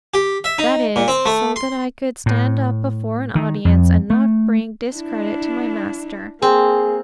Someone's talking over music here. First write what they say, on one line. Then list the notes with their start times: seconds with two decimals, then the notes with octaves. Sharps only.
That is, so that I could stand up before an audience and not bring discredit to my Master.
0.14 G4
0.44 E5
0.58 D#4
0.96 A#2
1.08 C4
1.26 A3
1.56 C6
2.26 A2
3.35 D#3
3.65 F2
4.10 A3
4.93 D4 E4
6.42 A#3 C4 G#4